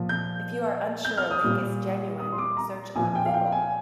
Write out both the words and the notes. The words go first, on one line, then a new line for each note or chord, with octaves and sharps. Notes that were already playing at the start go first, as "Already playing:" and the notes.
If you are unsure a link is genuine, search on Google.
Already playing: A#2 F3
G6
G6
F6
D#6
A#2 G3
D#6
C6
D6
A#5
A#2 F3 G#5
G5
F5
G5
G#5